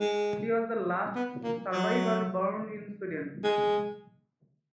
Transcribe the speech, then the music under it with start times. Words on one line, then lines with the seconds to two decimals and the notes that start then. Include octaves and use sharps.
She was the last survivor born in Sweden.
0.01 G#3
1.15 B3
1.44 A#3
1.72 F#3
3.44 G#3